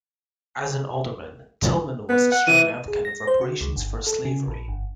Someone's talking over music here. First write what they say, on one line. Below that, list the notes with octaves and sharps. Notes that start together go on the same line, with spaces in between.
As an Alderman, Tillman was a strong advocate of reparations for slavery.
B3
F#5
E3 D#7
G#4
A#6
C5
F#4
C#2
G1
A4
C#3
A#1
G1